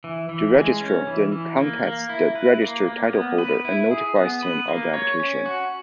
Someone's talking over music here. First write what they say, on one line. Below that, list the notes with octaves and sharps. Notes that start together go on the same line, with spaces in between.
The registrar then contacts the registered title holder and notifies him of the application.
E3
E3
G#3
C#4
E3
E3
A#3
A#3
E4
B4
A#3
A#3
B3
B4
E4
G#4
B3
B4
A#3
C#5
C#4
F#4